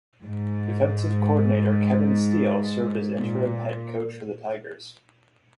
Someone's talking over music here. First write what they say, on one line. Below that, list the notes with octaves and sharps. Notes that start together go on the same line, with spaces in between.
Defensive coordinator Kevin Steele served as interim head coach for the Tigers.
G#2
A#2